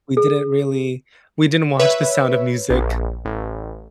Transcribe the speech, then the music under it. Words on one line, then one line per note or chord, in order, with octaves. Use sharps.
we didn't really we didn't watch The Sound of Music
G#4
B4 C#5 E5
A#1
A1